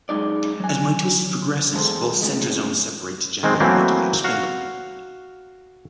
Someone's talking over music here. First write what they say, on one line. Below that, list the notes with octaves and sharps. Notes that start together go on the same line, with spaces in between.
As mitosis progresses, both centrosomes separate to generate the mitotic spindle.
F#2 G#3 D#4 D5
F#3 G#5
E2 G2 G#3 A4 C5
F2 A2 C#3 F3 G#3
D#3 G#3 C4
E3 F#3 A3 A#3 C4
F#4 F5